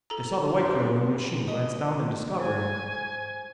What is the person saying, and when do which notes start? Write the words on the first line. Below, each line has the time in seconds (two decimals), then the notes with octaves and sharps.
They saw the white girl in the machine glance down and discover him.
0.10 A4 A#5
0.59 F#2 B3 D4 C5
1.18 B5
1.48 D#5
2.40 C5 G#5